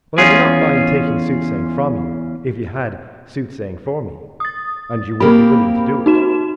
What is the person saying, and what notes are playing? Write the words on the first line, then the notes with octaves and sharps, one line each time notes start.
"Well, I do not mind taking soothsaying from you, if you had soothsaying for me, and you would be willing to do it."
E2 C#4 F4 G#4
D#6 A6
A#3 C4 G4 B5
D#4 F#4 E7